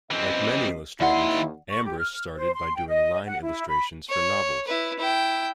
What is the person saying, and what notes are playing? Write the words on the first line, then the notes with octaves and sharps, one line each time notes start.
Like many illustrators, Ambrus started by doing line illustrations for novels.
F#2 E3 C4 D#5
D#2 D#3 E4 D5 F#5 C6
C#6
G4
F6
C5
C6
G5
D#5
F#5
E4
B5
C#5
E4 B4
E4 G5